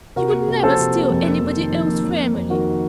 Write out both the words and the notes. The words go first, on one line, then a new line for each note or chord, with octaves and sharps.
He would never steal anybody else's family!
C3 F#4 A#4
A#3
C3
F3 A4 C5
C3
A#3
F2
A#3
F2
D#3
F2
A#3
F2
A#3
F2
D#3 F#4 A#4